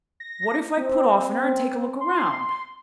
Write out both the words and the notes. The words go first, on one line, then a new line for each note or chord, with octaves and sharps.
'What if I put off in her and take a look round?
A#6
C4
C6